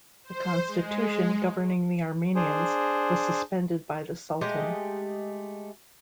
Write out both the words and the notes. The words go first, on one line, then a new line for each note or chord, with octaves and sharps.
The constitution governing the Armenians was suspended by the Sultan.
C5
G#3
D4 G#4 C5
G#3 A3 G4 D#5